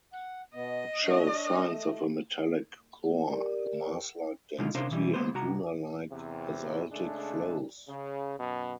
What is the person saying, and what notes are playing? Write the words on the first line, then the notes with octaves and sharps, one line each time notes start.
It shows signs of a metallic core, a Mars-like density and lunar-like basaltic flows.
F#5
B2 B3 D#5
D4 C#5
A3
G4 A#4 D5
B2 D3 D#3 G#3 F4
C3 C#4 D4 F4 A#4 C5
B2 E3 G3
G#3 A#3 B3 B4 C5
C2 F#4 A#5
E2 C3
C#3 G#3 A3 D4
C#3
F#2 B2